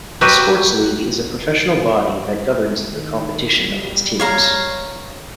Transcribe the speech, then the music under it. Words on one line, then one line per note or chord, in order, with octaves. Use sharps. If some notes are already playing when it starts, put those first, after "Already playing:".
A sports league is a professional body that governs the competition of its teams.
F#3 F#4 G4 B4
D#3
G3
C#5 F5 A#5